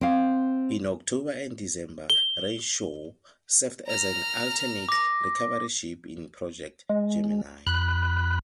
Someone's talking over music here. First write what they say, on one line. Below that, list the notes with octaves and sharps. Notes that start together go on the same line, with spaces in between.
In October and December "Renshaw" served as an alternate recovery ship in Project Gemini.
C4 F5
G7
A#5 F6
D6 A#6
G#3
F2 B5 F#6